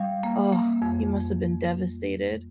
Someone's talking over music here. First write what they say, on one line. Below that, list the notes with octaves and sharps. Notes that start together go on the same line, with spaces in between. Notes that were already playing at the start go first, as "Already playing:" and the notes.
oh, he must have been devastated.
Already playing: G3 F5
A#3
A#3
F2